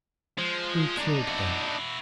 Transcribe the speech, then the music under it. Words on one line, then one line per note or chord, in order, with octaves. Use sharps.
"Who killed him?"
F3 G#3
D4 D#4
E4 F#4